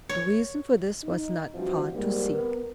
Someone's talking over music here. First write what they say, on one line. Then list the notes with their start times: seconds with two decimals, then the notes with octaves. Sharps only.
The reason for this was not far to seek.
0.09 C#5
1.04 D#4
1.55 E3 F3 G3 C4 D4 F#4
1.93 G#2 G3 A#3
2.33 B3 A#4